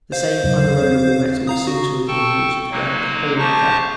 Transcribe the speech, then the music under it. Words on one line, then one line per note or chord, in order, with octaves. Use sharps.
The same unerodable metal seemed to have been used throughout the whole affair.
C5 F5
E2 C#3 F#3
C4
F5 A#5 D#6
F#4
A4 G5 A5 C#6
F#3 G#3 A#3 D#4
F3 G4 C5 A5 C#6 A#6